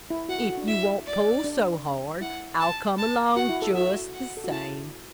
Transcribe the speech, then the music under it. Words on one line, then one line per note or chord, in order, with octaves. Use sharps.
If you won't pull so hard I'll come along just the same.
E4
F#4 F#5
A4
F#4
D4
E4 E5
D5
D4
E4 F#5
A5
A5
F#4 F#5
E4
A4
F#4 E5
F#5
A4
F#4
E4 A5